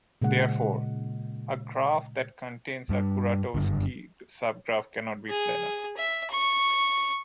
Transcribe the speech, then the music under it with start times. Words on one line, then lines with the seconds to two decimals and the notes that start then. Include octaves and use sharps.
Therefore, a graph that contains a Kuratowski subgraph cannot be planar.
0.22 A#2 C#3 G#3 F#5
2.89 G2 G3
3.55 F#1 G2 D3
5.29 G#4
5.97 E5
6.31 C#6